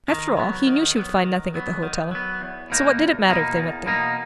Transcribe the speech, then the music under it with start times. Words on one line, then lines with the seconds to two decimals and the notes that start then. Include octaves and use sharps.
After all, he knew she would find nothing at the hotel--so what did it matter if they went there?
0.08 D#3
0.37 F#3 B3
0.67 D#3
0.96 F#3 B3
1.24 D#3
1.54 F#3 B3
1.83 D#3
2.11 F#3 B3
2.41 E2
2.70 B2 A#3 D#4
2.99 E2
3.29 B2 A#3 D#4
3.58 E2
3.86 B2 A#3 D#4